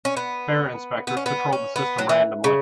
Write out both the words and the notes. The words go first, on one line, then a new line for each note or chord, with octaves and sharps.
Fare inspectors patrol the system randomly.
C#4
B3
B3
C#4
B3
C#4
B3
F#3
E3
C#3